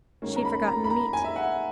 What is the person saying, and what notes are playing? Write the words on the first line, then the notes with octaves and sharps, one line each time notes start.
She had forgotten the meat.
G#2 D#3 A#3 C#4
A#5
B5
A#5
B5
A#5
G#5
E5
F#5